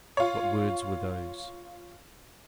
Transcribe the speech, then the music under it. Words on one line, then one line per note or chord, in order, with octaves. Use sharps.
What words were those?
F4 C#5